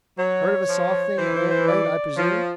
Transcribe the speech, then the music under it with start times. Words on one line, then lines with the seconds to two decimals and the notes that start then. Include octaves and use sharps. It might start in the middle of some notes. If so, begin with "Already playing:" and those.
Heard of a soft thing that won't wait, I presume?
0.19 F#3 C#5
0.69 F3
1.18 E3 C5
1.35 C5
1.51 C5
1.68 D5
2.17 F3 C#5
2.30 C#5